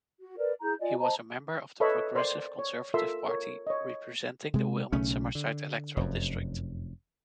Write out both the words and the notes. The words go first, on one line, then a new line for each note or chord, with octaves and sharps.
He was a member of the Progressive Conservative Party, representing the Wilmot-Summerside electoral district.
F#4
A#4 B4 D5
E4 G#4 A#5 G6
F4 D5 D#5 G#5
C5 D#5 A5 A#5
A4 B4 C#5 D#5 E5 B5
A#4 C5 D5 C6
C#5
F4 A4 A#4 E5 C6 E6
A#4 C#5
C#5 D#5
C3 G#3
B1 C#3 A3 C#4
D3
F1 F#2